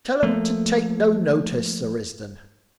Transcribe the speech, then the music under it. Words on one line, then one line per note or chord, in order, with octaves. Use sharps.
Tell 'em to take no notice, Sir Risdon.
F3 A3 A#3